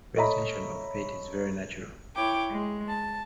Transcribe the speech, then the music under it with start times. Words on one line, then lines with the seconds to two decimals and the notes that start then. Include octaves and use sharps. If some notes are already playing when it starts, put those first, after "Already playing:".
Presentation of bait is very natural.
0.16 A4 C#5 D#5 E5 A#5 B5
2.15 E4 C#5 G5 D6
2.51 G#3
2.89 A5